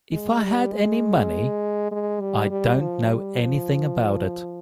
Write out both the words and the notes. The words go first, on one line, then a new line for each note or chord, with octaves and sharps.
If I had any money, I don't know anything about it.
G#3
G3
G#3
G#3
G3
G3
F3
G3
F3